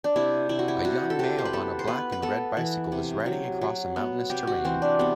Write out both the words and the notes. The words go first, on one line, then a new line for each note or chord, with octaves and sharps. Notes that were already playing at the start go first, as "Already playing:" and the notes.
A young male on a black and red bicycle is riding across a mountainous terrain.
D4
C3 E4
C3 E4
F#4
E4
C3 F#4
A4
C3 G4
C5
B4
B3 A4
C5
B3 B4
B4
B3 A4
E3
C3
F#3
F#3
B3
C3 G4
F#4
E3 C4
D4
C3 B3